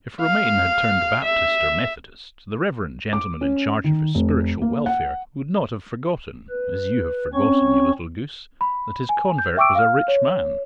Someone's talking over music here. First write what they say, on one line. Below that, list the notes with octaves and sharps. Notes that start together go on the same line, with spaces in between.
If Romayne had turned Baptist or Methodist, the reverend gentleman in charge of his spiritual welfare would not have forgotten--as you have forgotten, you little goose--that his convert was a rich man.
F5
E5
D6
C#4
D#3
F1
A#3
F#5
B4
C4 C#4 C#5 C#6
B5
G#5
G6
E5 G5 C#6 D6 E6 D7
F5 F6
C#5